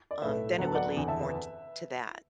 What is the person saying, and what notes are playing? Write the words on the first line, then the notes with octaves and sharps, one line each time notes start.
um, then it would lead more t to that.
D5
B1 A2 A3 B4 E5
D2 D3 F#3 B3 F#5
A5
D5 F#5
F#1 E2 D3
E5 A5
B4 E5